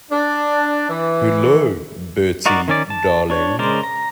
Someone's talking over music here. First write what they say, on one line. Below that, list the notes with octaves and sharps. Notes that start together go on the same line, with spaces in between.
Hullo, Bertie, darling.
D4
E3
D#4 F#4 A#4 D5
D#3 C#4 D5
A5
D4 C#5
C#3 G#3 A#4 C5 D5
A#5